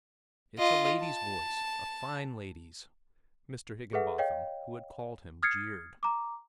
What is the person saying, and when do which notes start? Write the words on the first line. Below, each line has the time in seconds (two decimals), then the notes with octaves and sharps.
"It's a lady's voice, a fine lady's," Mr. Higginbotham, who had called him, jeered.
0.58 F4 D#5
1.02 A5
3.93 G#4 A4 B4 E5 F#5
4.18 C#5 D#5 F5 G5
5.43 D#6 F6 G#6 A6 C7 C#7
6.03 A#5 D6